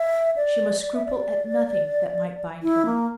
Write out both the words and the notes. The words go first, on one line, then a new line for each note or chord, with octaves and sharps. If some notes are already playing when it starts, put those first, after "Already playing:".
She must scruple at nothing that might bind him.
Already playing: E5
D5
D5
E5
D5
E4
A#3